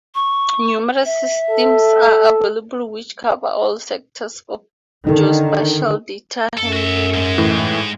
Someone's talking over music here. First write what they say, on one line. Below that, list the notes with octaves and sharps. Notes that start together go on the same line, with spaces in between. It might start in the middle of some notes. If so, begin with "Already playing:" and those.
Numerous systems are available which cover all sectors of geospatial data handling.
C#6
E5
A4
D3 D#3 D#4 A4
F#2 A4
F#4 E5
G#2 G#3
A2 E3